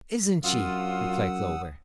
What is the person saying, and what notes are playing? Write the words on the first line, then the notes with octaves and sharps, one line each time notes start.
"Isn't she!" replied Clover.
F#2 C#4 D4 F4 F#5 D#6 E6